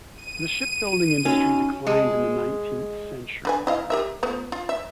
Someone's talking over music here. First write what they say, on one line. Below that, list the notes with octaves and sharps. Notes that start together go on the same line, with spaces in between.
The shipbuilding industry declined in the nineteenth century.
D#7
C#4 D#4 F#4
G#3
D3 B4 G#5
E4 D#5 F5
G4 A#4 E5
F3 A3 B3
F4
E5